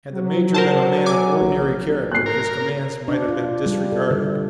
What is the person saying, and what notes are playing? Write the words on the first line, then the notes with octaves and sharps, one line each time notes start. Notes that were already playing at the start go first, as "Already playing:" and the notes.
Had the major been a man of ordinary character his commands might have been disregarded.
F#3
A#4 C5 A5
G#5 D6
A#1
F#6 C7
A#4
D4
F4
G3
A4
D3